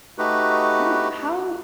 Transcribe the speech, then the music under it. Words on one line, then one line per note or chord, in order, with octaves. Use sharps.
Oh, how
A3 D#4 F#4 G4 B4